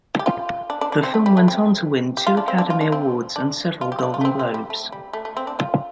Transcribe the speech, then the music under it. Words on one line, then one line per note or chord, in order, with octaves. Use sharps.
The film went on to win two Academy Awards and several Golden Globes.
G4
F4
D4
D4
D4
C4
A3
G3
A3
C4
G4
F4
D4
C4
D4
F4
D4
C4
D4
F4
G4
C4
D4
F4
A3
C4
C4
G3
A3
G3
A3
A3
C4
D4
F4